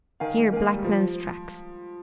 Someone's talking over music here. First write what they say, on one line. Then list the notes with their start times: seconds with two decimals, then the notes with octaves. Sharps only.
Here black man's tracks.
0.20 D#3 A#4 F5 G#5
0.37 G#3
0.52 A#3 A#4 F5 G#5
0.63 G#3
0.74 G3
0.84 F3 G4 C5